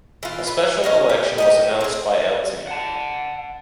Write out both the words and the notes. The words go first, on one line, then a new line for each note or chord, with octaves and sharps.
A special election was announced by Lt.
E3 F4
B4
C#4 A#4 D#5
G4
G4 B4 D#5
C4 G#4
F#5 A5